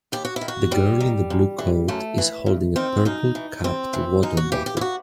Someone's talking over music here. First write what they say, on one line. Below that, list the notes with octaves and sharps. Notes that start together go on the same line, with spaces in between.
The girl in the blue coat is holding a purple capped water bottle.
D#2 G4
F#4
E4
D#3
F#4
F#2 G3
D#3
F#2
E3
F#2 A3
E3
G2
D#3 C4
F#2 D#4
E3
G2 C4
E3
F#2 D#4
F#4
E3 G4
G4
E4
F#4